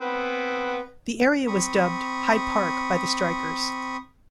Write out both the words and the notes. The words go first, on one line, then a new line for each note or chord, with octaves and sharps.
The area was dubbed "Hyde Park" by the strikers.
B3 C4 B4
C4 B5 C#6 D#6